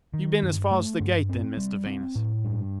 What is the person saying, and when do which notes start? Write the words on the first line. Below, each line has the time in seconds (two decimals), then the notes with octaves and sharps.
'You've been as far as the gate then, Mr Venus?'
0.14 D#3
0.43 G2
0.71 A3
1.00 G2
1.29 C4
1.57 G3
1.86 C4
2.16 A2
2.44 G2